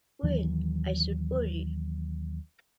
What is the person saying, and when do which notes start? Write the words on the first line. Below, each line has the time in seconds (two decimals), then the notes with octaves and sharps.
Well, I should worry!
0.23 D#2 D#3 E3 F#3